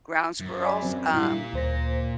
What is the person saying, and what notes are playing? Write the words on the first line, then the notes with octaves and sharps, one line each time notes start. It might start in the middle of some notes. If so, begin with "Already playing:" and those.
Ground squirrels, um,
F#2
D5 G#5 B5
F#3 C4
A#2 G3 E4 F5
D2 C5 A#6